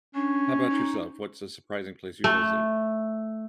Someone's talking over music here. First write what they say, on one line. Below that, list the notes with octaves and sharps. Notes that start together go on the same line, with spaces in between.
How about yourself- what's a surprising place you visited?
C#4 D4
D#4
A3